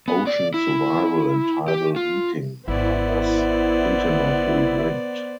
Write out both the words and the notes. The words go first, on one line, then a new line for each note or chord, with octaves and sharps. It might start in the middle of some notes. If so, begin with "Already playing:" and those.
Ocean survival and tidal heating are thus intimately linked.
B3
D5
E4
G4
F4
G#1 B3 E4 C5 D5